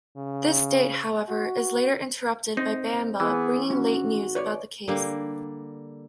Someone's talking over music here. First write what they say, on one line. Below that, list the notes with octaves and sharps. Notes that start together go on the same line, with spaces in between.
This date, however, is later interrupted by Banba bringing late news about the case.
C#3
F#4
C4 D#4
E3 B3 G#4
G#1 C#4 F#4
B4 C#5 D5
D3 G3 A#3